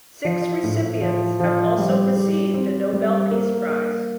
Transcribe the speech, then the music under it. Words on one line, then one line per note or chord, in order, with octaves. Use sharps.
Six recipients have also received a Nobel Peace Prize.
F3
A2
F3
F3
G3
G4
C4
G3
A#3
A#3